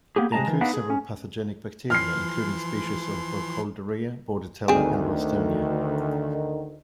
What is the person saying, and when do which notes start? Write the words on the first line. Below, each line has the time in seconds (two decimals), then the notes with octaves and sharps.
They include several pathogenic bacteria, including species of "Burkholderia", "Bordetella", and "Ralstonia".
0.16 A#3 B3 G4 G#4
0.32 C3 G#3 A#3 D#5 A5 A#5
0.47 D#3 E3
0.61 B3 D4 D#4 B4 F5 F#5
0.74 G#4
0.90 C#4
1.90 E3 F3 C6 F6 C7
4.68 D2 D#3 C4 G#4